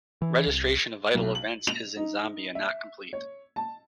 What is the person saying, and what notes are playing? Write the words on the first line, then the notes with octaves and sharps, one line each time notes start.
Registration of vital events is in Zambia not complete.
E3
C2
B1
F#7
F7
D#4
E5
C#5
A5